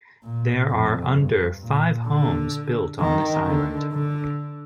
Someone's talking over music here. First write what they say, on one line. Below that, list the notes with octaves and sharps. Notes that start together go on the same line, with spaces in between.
There are under five homes built on this island.
A#2
F2
G2
A#2
D3
D#3
D3
D3